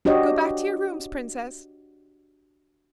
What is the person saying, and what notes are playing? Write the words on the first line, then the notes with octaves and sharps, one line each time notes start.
Go back to your rooms, Princess.
D4 F#4 G4 C#5 D#5